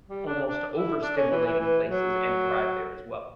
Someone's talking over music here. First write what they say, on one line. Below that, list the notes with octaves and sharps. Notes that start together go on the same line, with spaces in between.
almost overstimulating places and thrive there as well.
G3
D4
D4
E4
D4
C#4
E3
E3
E3
F#3